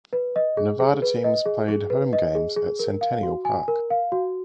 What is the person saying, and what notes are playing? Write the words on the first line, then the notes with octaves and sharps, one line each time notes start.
Nevada teams played home games at Centennial Park.
B4
D#5
G#4
G#4
B4
D#5
G#4
G#4
B4
D#5
G#4
G#4
A#4
F5
F#4
G#5
A#4
F5
F#4